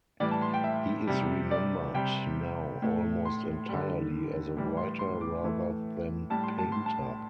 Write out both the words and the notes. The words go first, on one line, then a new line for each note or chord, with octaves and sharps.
He is remembered now almost entirely as a writer rather than painter.
A2 E3 G3 D5
A5
C6
G5
E5
C3 G3
D5
C3 G3 G5
A2 A3
C6
D3 G3
A2 E3 G3
C6
C6
D6
A2 E3 A3
A2 G3 A5
C6
A5
C6
A5